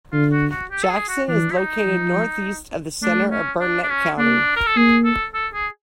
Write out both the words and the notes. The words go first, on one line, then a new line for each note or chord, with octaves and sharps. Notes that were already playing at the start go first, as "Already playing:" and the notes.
Jackson is located northeast of the center of Burnett County.
D3 F4
F#4
F#4
G4
A4
G#4
F#4
E3 D4
E4
D#4
F3
A3 D4
C#4
D4
D4
C#4
A#3 D4
A#4
A4
A#3 G#4
A4
A4
G#4